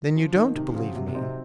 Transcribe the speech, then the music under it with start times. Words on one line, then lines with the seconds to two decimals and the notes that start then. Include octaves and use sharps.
"Then you don't believe me?"
0.16 F3
0.35 D#3 A#3 D#4
0.56 C3 D#3
0.75 C#3 F3 C4 F#4
0.94 C3 F#3
1.08 C3
1.14 C4 D#4
1.21 C3